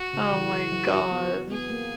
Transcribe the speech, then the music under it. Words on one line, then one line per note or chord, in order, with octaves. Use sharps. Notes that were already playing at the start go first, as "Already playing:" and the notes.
Oh my gosh.
Already playing: F#4
C#3
E3
E3
F#3
B3
B3 G#4
A#3